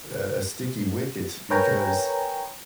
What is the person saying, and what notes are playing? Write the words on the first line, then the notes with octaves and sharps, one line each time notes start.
a a sticky wicket because
A#4 B4 C#5 G5 G#5 A#5